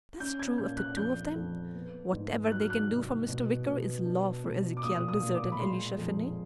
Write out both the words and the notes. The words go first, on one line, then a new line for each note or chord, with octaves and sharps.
That's true of the two of them--whatever they can do for Mr. Wicker is law for Ezekial Blizzard and Elisha Finney.
C#4 G6
G#6
A#2 G6
F#6
F2 G6
F2
B3
G#2
F#3 F#6
F6
F#6
C2
B2
B2
D4
B2
D6
A#2 D#6
D#6
A#2
D6
B5
G#3 C6
F2